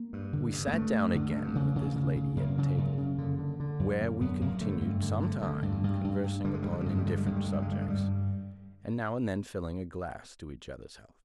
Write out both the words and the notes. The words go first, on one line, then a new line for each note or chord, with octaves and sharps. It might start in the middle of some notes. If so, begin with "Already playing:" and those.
We sat down again with this lady at table, where we continued some time, conversing upon indifferent subjects; and now and then filling a glass to each other's health.
Already playing: A#3
G2
D3
G2
A#3
G2 A3
G2
D3
G2
C#3
C#3
C#3
C#3
F#2 A#3
C#3
F#2
C#3
D3
D3
D3
F#2
D3 A#3
F#2 B3
F#2 A#3
D3 A3
G2
D3
D3
D3
G2
G2
G2
G2
D3 G3
G#3
D3 G3
G#3
G3
G2 G#3
G3
D3 G#3
G3
G2 G#3
G3
G2 G#3
G3
G#3
D3 G3
G#3
G2 G3